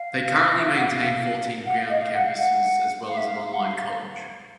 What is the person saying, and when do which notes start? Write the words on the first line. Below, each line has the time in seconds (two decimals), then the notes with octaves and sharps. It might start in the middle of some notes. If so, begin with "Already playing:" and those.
They currently maintain fourteen ground campuses as well as an online college.
Already playing: F5
0.59 E5
0.68 F5
0.77 F#5
0.86 F5
1.66 F#5
1.77 F5
1.89 D#5
2.02 F5
2.14 F#5
2.25 F5
2.37 F#5
3.08 F5
3.17 E5
3.26 F5
3.44 F5
3.53 F#5
3.63 F5